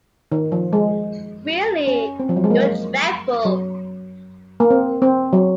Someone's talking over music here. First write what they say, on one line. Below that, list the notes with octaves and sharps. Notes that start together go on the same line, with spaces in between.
Really, you’re dreadful.
D#3
F3
G#3
C#4
C4
F3
F#3
G#3
A#3
F#3
A#3
C4
C4
F#3